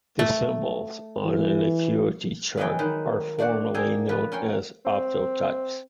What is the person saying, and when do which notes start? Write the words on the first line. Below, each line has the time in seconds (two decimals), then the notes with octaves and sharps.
The symbols on an acuity chart are formally known as "optotypes".
0.19 A3
1.24 E3
2.57 F2 E3 F#3 G#3 D#5 G5
2.79 D#3 D#4 B4 C5
3.39 D4 F#4 C5 D5 F#5
3.74 A#3 G#4 A4 G5 G#5 A#5
4.09 F3 B4
4.32 C#4 A#4 G5 C6
4.85 C4